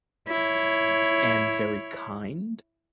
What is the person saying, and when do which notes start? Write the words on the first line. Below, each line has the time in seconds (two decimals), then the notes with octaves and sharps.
and very kind,
0.28 E4 C#5